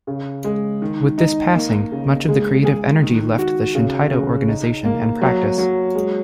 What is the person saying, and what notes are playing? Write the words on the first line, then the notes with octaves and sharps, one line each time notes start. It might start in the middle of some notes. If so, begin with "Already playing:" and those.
With this passing much of the creative energy left the Shintaido organisation and practice.
C#3
G#3
D#3
D#4
A#3
C#3
G#3
G#4
D#3
F#4
C#3
C#3
D#4
A#3
F#3
F#3
G#3